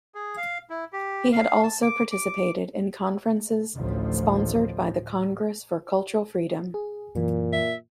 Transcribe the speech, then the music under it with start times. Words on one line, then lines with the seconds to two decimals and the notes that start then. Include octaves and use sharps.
He had also participated in conferences sponsored by the Congress for Cultural Freedom.
0.15 G#4
0.37 F5
0.70 E4
0.93 G4
1.32 F5
1.63 A5
1.82 D6
2.11 D6
3.76 A1 D2 A2 F3
6.74 G#4
7.15 F#2 A#2 E3
7.53 E5